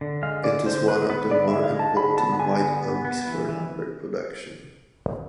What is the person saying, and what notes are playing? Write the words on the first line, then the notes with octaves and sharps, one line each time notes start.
It is one of the more important white oaks for lumber production.
D3
G#3 F5
D3 D5
D3 C5
D3 B4
B3 B4
D3 D5
E5
G#3
F5
G#3
A5
D3 B5
B3 A5
D3 G#5
B3
B3
B3
E3
E3